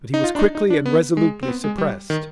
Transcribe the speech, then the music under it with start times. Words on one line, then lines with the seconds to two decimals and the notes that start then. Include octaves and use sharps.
But he was quickly and resolutely suppressed.
0.14 D#4
0.24 F4
0.35 D4
0.39 D#4
0.55 D#4
0.70 D4
0.86 B3
1.17 G#3
1.43 C4
1.48 B3
1.64 G#3
1.78 G3
2.10 D#3